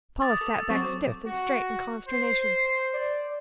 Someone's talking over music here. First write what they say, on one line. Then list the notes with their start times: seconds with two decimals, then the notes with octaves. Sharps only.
Paula sat back stiff and straight in consternation.
0.22 D6 D#6 A6
0.41 A4
0.70 F#3 C4 C#6
1.26 F#4
2.08 C5 C7
2.93 D5